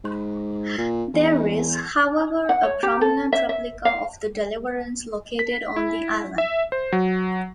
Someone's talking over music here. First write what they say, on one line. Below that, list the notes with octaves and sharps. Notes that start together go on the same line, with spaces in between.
There is, however, a prominent replica of the "Deliverance" located on the island.
G#2
A#2
E2
F#5
C#5
G4
A4
E5
E5
F5
B6
E4
E5
C5
F#3